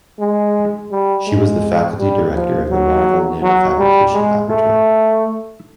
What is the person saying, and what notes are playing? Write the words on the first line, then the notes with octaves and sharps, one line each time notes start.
She was the faculty director of the Marvell Nanofabrication Laboratory.
G#3
G3
G#3
G3
F3
F#3
F#3
G3
G#3
A3